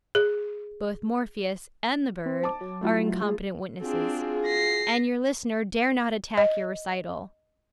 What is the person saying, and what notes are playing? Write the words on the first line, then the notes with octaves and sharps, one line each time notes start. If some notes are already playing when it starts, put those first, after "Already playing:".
Both Morpheus and the bird are incompetent witnesses; and your listener dare not attack your recital.
G#4
C4
A5 D6
F#3
A3 E4 F4
G#4
C4 D4 F4 F#4 G#4
A#6 C7
D#5